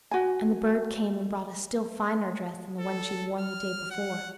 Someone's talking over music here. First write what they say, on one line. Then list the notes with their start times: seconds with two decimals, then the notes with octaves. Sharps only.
And the bird came and brought a still finer dress than the one she had worn the day before.
0.11 F#4 G#5
2.80 A4
3.39 F6
3.91 F#5